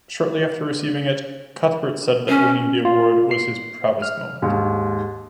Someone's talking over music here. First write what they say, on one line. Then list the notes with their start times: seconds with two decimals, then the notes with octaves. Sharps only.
Shortly after receiving it, Cuthbert said that winning the award was his proudest moment.
2.28 C#4
2.85 F4
3.31 C7
4.02 F6
4.42 D#2 G#2